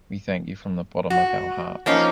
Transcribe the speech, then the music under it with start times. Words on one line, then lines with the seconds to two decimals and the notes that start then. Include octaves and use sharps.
We thank you from the bottom of our hearts.
1.10 F#4
1.86 F3 A#3 C#4 D#4